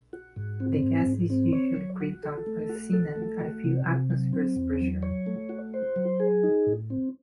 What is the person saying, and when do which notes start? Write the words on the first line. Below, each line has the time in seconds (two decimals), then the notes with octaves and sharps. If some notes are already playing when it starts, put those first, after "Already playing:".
The gas is usually krypton or xenon at a few atmospheres pressure.
0.13 F#4
0.36 G#2
0.60 C4
0.83 G#2
1.06 G#2
1.30 C4
1.53 C#5
1.76 F#3
2.00 F#4
2.23 A4
2.46 A3
2.69 F#4
2.93 A4
3.16 A3
3.40 F#4
3.64 C3
3.86 C3
4.10 F#3
4.33 C4
4.56 E2
4.80 F#3
5.03 C#5
5.26 A3
5.49 F#4
5.74 C5
5.96 F#3
6.20 G#4
6.43 D#4
6.67 A2
6.90 C4